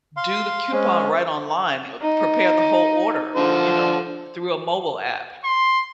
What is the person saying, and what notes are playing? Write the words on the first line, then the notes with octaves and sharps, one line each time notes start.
do the coupon right online, uh, prepare the whole order, you know, through a mobile app,
F5 C6
G#3 C#4 C5
D#4
D3 F3 C5
C6